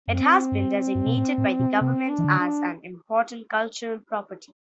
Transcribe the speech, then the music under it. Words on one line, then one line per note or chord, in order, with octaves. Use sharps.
It has been designated by the government as an Important Cultural Property.
F#2 C4
G2
G2
B2
A2
A2
B2
C3 C4
D4
E3
D3
D4